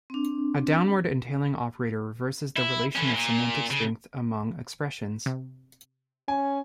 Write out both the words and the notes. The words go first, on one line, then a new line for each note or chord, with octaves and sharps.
A downward entailing operator reverses the relation of "semantic strength" among expressions.
C4 D4
E4
E3 C#4
A#2
C#3
C3
C#4 G#5